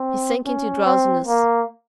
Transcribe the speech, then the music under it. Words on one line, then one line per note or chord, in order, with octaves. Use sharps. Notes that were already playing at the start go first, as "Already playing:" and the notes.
He sank into drowsiness.
Already playing: C4
C#4
C4
A#3